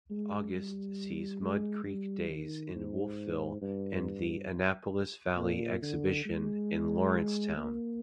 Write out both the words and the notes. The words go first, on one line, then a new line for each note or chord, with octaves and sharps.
August sees Mud Creek Days in Wolfville and the Annapolis Valley Exhibition in Lawrencetown.
G#3
G3
G#3
G3
D#3
G#2
G2
A#2
D3
G#3
A#3